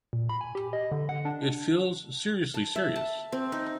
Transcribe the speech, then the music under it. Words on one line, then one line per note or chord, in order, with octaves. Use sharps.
It feels seriously serious.
A#2
B5
G#5
G4
D#5
D3
F#5
D4
A5
E5
A5
C4
D#4